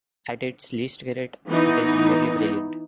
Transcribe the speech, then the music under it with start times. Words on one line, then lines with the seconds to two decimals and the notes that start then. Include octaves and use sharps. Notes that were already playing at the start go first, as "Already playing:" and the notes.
At its least great, it is merely brilliant...
1.47 E3 B3 D#4